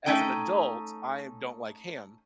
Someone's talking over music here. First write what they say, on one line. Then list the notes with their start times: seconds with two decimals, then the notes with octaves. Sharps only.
as an adult, I don't like ham,
0.06 A3 C#4 D#4 G5